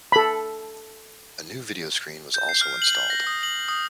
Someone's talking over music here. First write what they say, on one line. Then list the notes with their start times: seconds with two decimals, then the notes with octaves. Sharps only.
A new video screen was also installed.
0.12 A4 B5
2.34 G6
2.49 C7
2.61 F6
2.82 F#7
3.10 A#6
3.27 D#6
3.43 F#7
3.68 D#6